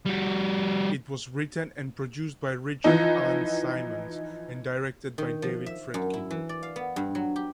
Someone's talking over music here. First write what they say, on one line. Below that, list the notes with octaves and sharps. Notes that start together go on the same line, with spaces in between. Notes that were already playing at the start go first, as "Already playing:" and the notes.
It was written and produced by Richard Alan Simmons and directed by David Friedkin.
G3 F#4
E3 F3 D#4
D#3
F3
E5
F#2
E4
E3
D5
F5
B3
G2
F#3
G4